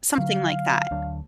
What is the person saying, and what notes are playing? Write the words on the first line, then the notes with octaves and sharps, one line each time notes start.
Something like that.
D3 F#3 F5
D2 F#3 D4